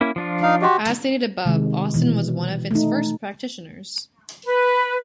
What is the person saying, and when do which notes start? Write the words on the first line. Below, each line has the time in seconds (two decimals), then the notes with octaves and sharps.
As stated above, Austen was one of its first practitioners.
0.01 A#3 C#4 E4
0.16 F3 D4 F4
0.43 D#4 F5
0.62 F#4 G4 D#5 C6
1.45 C3 D#3 G#3
1.94 B2 E3
2.71 A3 D#4
4.45 B4